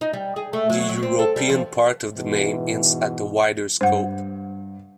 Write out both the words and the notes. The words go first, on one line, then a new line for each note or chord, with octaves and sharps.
The 'European' part of the name hints at the wider scope.
D#4
G3
G#4
A3
F#3
F#3
C4
A4
G3
F3
G#2 B2 E3
G2 C5 F#5